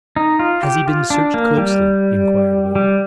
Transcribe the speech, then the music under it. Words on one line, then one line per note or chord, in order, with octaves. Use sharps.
"Has he been searched closely?" enquired Will.
D#4
F4
G4
F4
D4
A#3
G3
G3